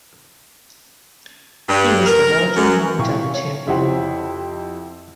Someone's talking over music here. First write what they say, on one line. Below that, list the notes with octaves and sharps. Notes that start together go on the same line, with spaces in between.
He was the Belgian long jump champion.
G2
A#4
F#2
C3 E4 F5 C#6
C#5
F2 E4 G4 C5 F#5